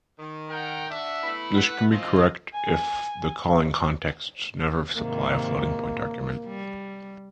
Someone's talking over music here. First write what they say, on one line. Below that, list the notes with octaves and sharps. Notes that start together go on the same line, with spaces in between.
This can be correct if the calling contexts never supply a floating point argument.
D#3
A#4 F#5 G5
D4 F#4 E5
A3 B3 E4
B4 F#5
F#2 F3 C4 F4 D#5
G#5
G#2 C3 D#3 A#3
G3